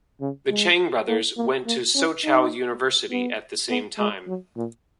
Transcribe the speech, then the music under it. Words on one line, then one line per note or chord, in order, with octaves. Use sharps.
The Chang brothers went to Soochow University at the same time.
C#3
G#3
A#3
A#3
A#3
C#4
D#4
B3
B3
G#3
F#3
A#2